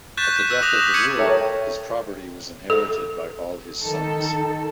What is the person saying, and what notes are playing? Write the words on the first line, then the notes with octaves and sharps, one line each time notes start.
At the death of the ruler his property was inherited by all his sons.
C#6 F#6 G6 A6 B6 E7
B6
E6 F#6 E7
D6 D#6 F#6 A#6 F7
D#6 B6
D6 G#6 C#7 D#7 F#7
A4 A#4 C#5 E5 G5 A5
A4
D#3 A4